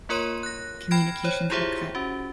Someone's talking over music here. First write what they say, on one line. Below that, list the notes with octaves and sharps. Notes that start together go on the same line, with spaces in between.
Communications were cut.
A#3 F4 A#4 C#5 C6 D#7
F#6 A#6
G5 B5 F6 G#6 A#6 D7
C5 C#5
E4 F4 G4 G#4 C5 E5
C#4 F#4